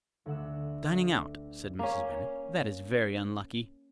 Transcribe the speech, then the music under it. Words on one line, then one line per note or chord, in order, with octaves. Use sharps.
"Dining out," said Mrs. Bennet, "that is very unlucky."
D2 D3 F#5 E6
A#3 C#4